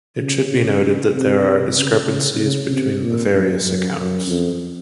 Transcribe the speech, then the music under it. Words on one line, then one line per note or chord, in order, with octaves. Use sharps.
It should be noted that there are discrepancies between the various accounts.
C#3
C3
C#3
C#3
C#3
C3
A#2
F#2
F#2
F#2
F2